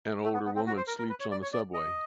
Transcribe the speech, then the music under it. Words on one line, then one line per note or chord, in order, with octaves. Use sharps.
An older woman sleeps on the subway.
A3
B3
B3
C4
F#4
C5
A#4
A#4
B4
C#5
D5
C#5
D5
D#5